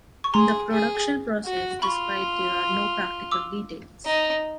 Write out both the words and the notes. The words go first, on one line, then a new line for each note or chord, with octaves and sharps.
In the production process described there are no practical details.
C#6
G#4 A#5 C6
G#4
F#4
F4 B5 C#6
D6 E6
D#4